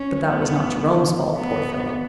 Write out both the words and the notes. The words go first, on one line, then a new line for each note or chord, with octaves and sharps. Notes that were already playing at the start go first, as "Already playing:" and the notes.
But that was not Jerome's fault, poor fellow!
Already playing: C#4
B3
B3